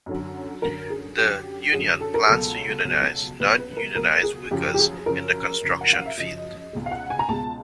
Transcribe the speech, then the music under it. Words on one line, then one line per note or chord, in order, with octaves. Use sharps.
The union plans to unionize non-unionized workers in the construction field.
F#2 D3 F#3
F#2 D3 F#3 A#4
G#4
F#2 D3 F#3 G4
F#2 D3 F#3 G#4
A4
A#4
C#2 B2 F#3 A4
C#2 B2 F#3
C#2 B2 F#3 B4
B4
A#4
C#2 B2 F#3 A#4
G#4
F#2 C#3 F3 G4
G4
G#4
F#2 C#3 F3 A#4
F#2 C#3 F3
F#5
F5
E5
F#2 C#3 F3 D#5
C#2 B2 G#3
F5
F#5
G#5
A#5
C#2 B2 G#3 A5